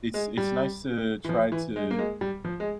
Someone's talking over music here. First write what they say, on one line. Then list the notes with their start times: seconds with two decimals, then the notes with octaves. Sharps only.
It's it's nice to try to
0.14 G#3
0.37 G3
1.25 E3
1.29 F3
1.52 E3
1.76 G#3
1.91 A#3
1.99 G#3
2.21 G3
2.44 F3
2.60 G#3